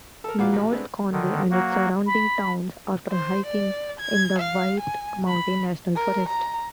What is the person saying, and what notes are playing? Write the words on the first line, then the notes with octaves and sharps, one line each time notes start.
North Conway and its surrounding towns offer hiking in the White Mountain National Forest.
A4 A#4
A#2 F4 F#4 B4 F5 D6
A1
G#3 A3 B3 C4 D4
D3 D#3
F#3 A#3 F#4
B5
C5
D5
G#6
F5
G#5
B5
A#4
A#5